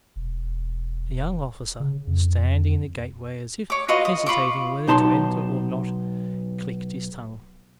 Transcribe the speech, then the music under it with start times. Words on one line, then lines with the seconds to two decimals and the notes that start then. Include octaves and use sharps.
The young officer standing in the gateway, as if hesitating whether to enter or not, clicked his tongue.
0.16 E1
1.80 C#3
2.07 F2
3.70 C#5 D6
3.88 F4 F#4 B4 D#5
4.05 D#6
4.26 F4 B5 C#6 D6
4.87 B1 D#4 A5 A#5 C6